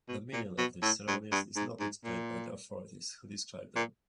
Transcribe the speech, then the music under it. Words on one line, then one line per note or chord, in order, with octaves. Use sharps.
The meaning of these ceremonies is not explained by the authorities who describe them.
B2
A#2
B2
A2
G2
G2
G#2
G#2
A#2
A#2